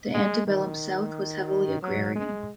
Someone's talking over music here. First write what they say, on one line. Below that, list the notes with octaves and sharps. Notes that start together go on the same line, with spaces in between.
The antebellum South was heavily agrarian.
G#3
D#3
F#3
G#3